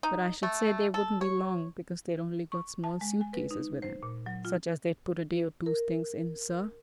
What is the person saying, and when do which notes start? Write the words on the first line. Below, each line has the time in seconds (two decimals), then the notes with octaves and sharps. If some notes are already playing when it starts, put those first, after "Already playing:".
"But I should say they wouldn't be long because they'd only got small suit-cases with them--such as they'd put a day or two's things in, sir."
0.03 D#4
0.43 A3
0.94 A4
1.21 C#5
2.52 C#6
2.84 A5
3.01 G#3
3.21 G#5
3.33 B4
3.51 D#4
3.82 C5
4.03 A#2
4.26 F#3
4.45 F4
5.66 A#4